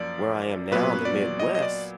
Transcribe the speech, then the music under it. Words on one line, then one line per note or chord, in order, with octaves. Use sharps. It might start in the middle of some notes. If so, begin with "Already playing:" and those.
where I am now in the Midwest,
Already playing: F#2 F3 A#3 D5
A#2 F#3 B3 B4
D5
D#5
D#5
D5